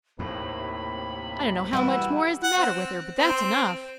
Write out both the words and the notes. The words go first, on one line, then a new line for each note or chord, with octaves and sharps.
I don't know how much more is the matter with her, but that's enough.
D#2 A2 C3 A#3 B5
E3 G3 E4 F#4
F#5
C4
C4